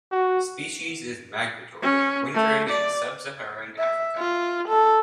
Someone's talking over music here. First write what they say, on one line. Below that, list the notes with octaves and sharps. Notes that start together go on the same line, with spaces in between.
The species is migratory, wintering in sub-Saharan Africa.
F#4
C#4
A3
D5
E5
F4
A4